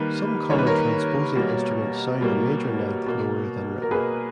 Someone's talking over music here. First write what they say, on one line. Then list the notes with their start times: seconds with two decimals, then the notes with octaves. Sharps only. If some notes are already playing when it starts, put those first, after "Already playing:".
Some common transposing instruments sound a major ninth lower than written.
Already playing: D#3 G3 A#3 B4
0.50 D#3 G3 A#3 C#5
0.58 B4
0.67 A#4 C#5
1.36 B2 G3 A#3
2.21 B2 G3 A#3
3.06 B2 A#3
3.82 A#4
3.91 B2 A#3 G#4 B4